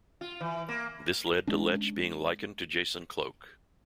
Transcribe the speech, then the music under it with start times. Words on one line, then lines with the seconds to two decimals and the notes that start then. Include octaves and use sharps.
This led to Letch being likened to Jason Cloke.
0.21 F4
0.41 E3
0.69 A#3
1.47 G#3 C#4 D4